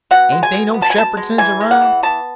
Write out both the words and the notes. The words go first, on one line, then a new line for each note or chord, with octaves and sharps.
"Ain't they no Shepherdsons around?"
B2 F#5
G#3
G#5
B2
B3
A5
G#5
B2 A5
G#3
E3 G#5
G#3
F#5
E3
B3 A5